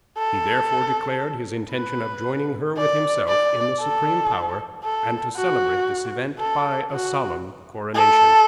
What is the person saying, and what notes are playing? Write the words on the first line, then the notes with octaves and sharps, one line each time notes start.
He therefore declared his intention of joining her with himself in the supreme power, and to celebrate this event by a solemn coronation.
A4
B4
D5
D5
A4
A4
F#4
A4
F#4
A4